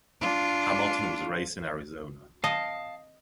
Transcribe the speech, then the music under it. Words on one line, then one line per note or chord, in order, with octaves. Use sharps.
Hamilton was raised in Arizona.
D4 F4
D#5 F5 A5